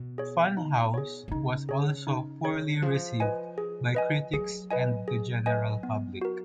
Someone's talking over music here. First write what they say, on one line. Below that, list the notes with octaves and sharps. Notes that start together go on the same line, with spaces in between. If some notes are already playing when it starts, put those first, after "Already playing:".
"Fun House" was also poorly received by critics and the general public.
Already playing: B2
G#4 C#5
D#4
G#4 C#5
B2
C#3 D#4
G#4 C#5
D#4
G#4 C#5
F3 G#4
B4 D#5 G#5
G#4
B4 D#5 G#5
F#3 G#4
B4 D#5 G#5
G#4
B4 D#5 G#5
B3
F#4 A#4